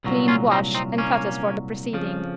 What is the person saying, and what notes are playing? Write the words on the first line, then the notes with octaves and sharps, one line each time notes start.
Clean, wash and cut as for the preceding.
C2 A#2 F#3
C#4 F4
C4 D#4
C4 D#4
A#3 C#4
F2 C#3 F3